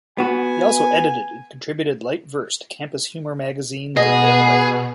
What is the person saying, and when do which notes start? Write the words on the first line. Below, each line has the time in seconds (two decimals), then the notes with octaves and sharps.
He also edited and contributed light verse to campus humor magazine "The Yale Record".
0.18 B3 F#4 G#5
3.97 B2 B3 G#4 D#5